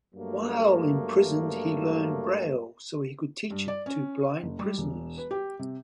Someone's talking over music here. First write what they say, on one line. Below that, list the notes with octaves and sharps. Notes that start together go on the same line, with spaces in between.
While imprisoned he learned braille so he could teach it to blind prisoners.
G2 F#3 A3 A#3
G2
D5
C#4
F#1
G3
E1
B4
G4
C3